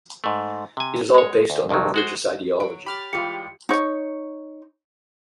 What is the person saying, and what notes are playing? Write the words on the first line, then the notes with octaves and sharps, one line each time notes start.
It is all based on their religious ideology.
G#2 A3
C3 G#5
G#3 C#5
D2
C2 F2 D#3 F3 F#3
G#3 F#4 C5
F#3 D7
G4 B5 F6 A6
E3 G3 G#3 F4 G4 C#7
D#4 C#5